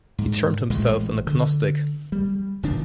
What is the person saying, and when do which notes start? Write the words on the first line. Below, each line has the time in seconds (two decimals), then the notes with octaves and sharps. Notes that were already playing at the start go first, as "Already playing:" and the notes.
He termed himself an agnostic.
0.18 G#2
0.70 A1 A#2 G#3
1.27 D3
2.12 G3
2.63 F1 D#3 F3 D4